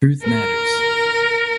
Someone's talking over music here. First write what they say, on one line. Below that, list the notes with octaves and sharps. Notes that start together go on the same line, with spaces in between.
Truth matters.
A#4